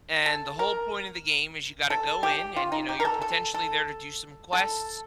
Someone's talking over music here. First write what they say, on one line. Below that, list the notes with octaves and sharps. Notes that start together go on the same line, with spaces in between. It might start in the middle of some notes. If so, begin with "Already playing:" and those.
And the whole point of the game is you gotta go in and, you know, you're, potentially, there to do some quests,
A4
A#4
A4
G4
F4
D#4
G4
A#4
A4
A4
A4
A4